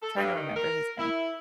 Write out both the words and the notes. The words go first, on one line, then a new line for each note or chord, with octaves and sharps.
Trying to remember his name.
A4
G2
D#3
A#4
E4